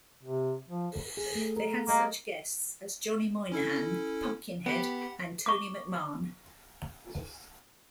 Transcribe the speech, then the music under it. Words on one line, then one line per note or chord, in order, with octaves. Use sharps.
They had such guests as Johnny Moynihan, Pumpkinhead and Tony McMahon.
C3
F3
G#4
A3
A#4
G3 A#3 D#5
C#4 E4 A4
B3 G4 F#5 B5
C#6 D6